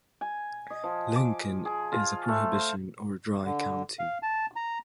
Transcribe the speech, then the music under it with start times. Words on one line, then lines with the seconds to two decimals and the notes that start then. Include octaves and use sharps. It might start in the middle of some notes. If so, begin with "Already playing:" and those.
Lincoln is a prohibition or dry county.
0.21 G#5
0.70 D#5
0.84 F3
1.16 D6
1.65 G#4
1.92 F4
2.28 A3
2.53 C5
3.45 D3
3.99 F5
4.23 A5
4.56 A#5